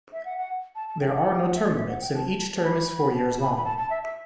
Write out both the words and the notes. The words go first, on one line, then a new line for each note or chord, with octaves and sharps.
There are no term limits, and each term is four years long.
E5
F#5
F#5
A5
A5
G5
F#5
G5
F#5
E5
D5
E5
F#5
G5
A5
B5
A5
B5
B5
A5
A5
E5
E5